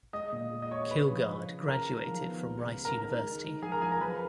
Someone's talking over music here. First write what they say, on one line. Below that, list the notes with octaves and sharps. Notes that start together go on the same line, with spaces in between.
Kilgard graduated from Rice University.
G#3 D#5 D#6
A#2
G#4
D#5 D#6
G#4 C#5 C#6
C#5 C#6
G#4 B4 B5
F3
C#3
C#4
G#4 A#4 A#5
D#3
F3
B3
C#2
C#2
D#3 A#4 A#5
D#4
G#3
D#4
F3 G#4 G#5
A#4 A#5
F3 G#4 G#5
A#4 A#5
F3 B4 B5